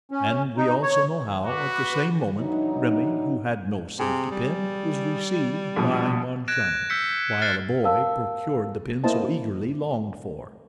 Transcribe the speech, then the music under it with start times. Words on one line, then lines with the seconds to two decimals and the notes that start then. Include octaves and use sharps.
And we also know how, at the same moment, Remy, who had no safety-pin, was received by Moncharmin, while a boy procured the pin so eagerly longed for.
0.11 C#4
0.57 D#4
0.83 C#5
1.45 F#4 B4 D6 F#6
2.39 E3 F#3 D4 D#4
3.99 C3 G#4
4.31 G3
5.76 A#1 B2
6.48 F#6 G#6 A#6 D7 E7
6.90 E6 G6 B6 C#7
7.42 F6 A6 C7
7.84 A#4 F5 A5 E6
9.04 A#3 B3 E4 C5 D#5 A5